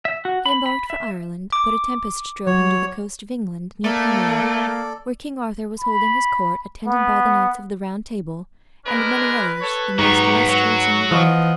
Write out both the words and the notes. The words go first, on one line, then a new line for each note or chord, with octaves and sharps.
He embarked for Ireland; but a tempest drove him to the coast of England, near Camelot, where King Arthur was holding his court, attended by the knights of the Round Table, and many others, the most illustrious in the world.
E5
F#4
B5
B5
E5
D6
F#3 C#5
A3 A#3 A4 D5
B5
B3
G#3 D4 A#4 B4
A4 C#5
G#2 F#3 B3 G4 A#5 C#6
F#3 F#4
E3 F3 B3 D#5